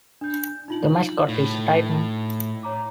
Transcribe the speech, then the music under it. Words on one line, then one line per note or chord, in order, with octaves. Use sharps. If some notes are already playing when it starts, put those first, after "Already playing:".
The mascot is a Titan.
D4 G6
D#4 F4 F#7
A2
C#5 A#5 D6